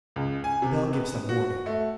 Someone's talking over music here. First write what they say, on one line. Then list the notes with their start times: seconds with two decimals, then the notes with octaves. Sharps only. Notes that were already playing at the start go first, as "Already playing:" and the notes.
The bell gives them warning.
0.16 C#2
0.44 G#5
0.62 C3
0.93 B3
1.29 F#4
1.66 A3